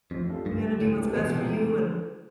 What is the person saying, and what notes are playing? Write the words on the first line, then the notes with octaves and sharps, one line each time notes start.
you gotta do what’s best for you and
F2 A2
G3 D4 F4 A4
D2 G2
D3 G3
D2 A2
C3 G3 B3 D4
E2 B2
C3 F3 C4 E4
F1
D3